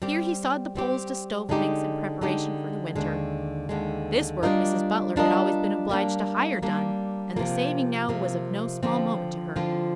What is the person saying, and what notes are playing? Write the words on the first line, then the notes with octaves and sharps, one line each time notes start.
Here he sawed the poles to stove lengths in preparation for the winter. This work Mrs. Butler had always been obliged to hire done, and the saving now was of no small moment to her.
G3 C4 G4
G3 C4 G4
D3 G#3 D#4 G4
D3 G#3 D#4 G4
D#2 D3 G#3
D#2 D3 G#3
G3 D4 F4 A#4 D#5
G3 D4 F4 A#4 D#5
G3 A#3 D4
G3 A#3 D4
C3 F3 A#3
C3 F3 A#3
D3 F3 C4 F4
D3 F3 C4 F4